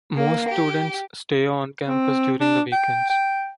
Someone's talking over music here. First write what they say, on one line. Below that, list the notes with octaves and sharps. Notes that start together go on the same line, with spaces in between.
Most students stay on-campus during the weekends.
A#3
G4
C4
D4
G5
G5